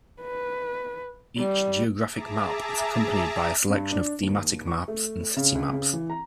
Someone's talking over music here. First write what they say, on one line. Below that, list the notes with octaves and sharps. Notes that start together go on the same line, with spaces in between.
Each geographic map is accompanied by a selection of thematic maps and city maps.
B4
G3
G#4 E5 A5 A#5 D6
G2
D4
D#2
C#6
A3
C#3
C#2
C#3
E3
A#5